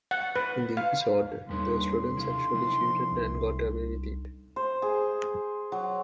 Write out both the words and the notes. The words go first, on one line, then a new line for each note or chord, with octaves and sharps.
In the episode, the students actually cheated and got away with it.
F#5
B4
F5
D#2 G3 D4 D#4 A4 B4 C#5 C6
C3 E4 G4 F5
C3 F3 E4
C2
C5
G#4
F#3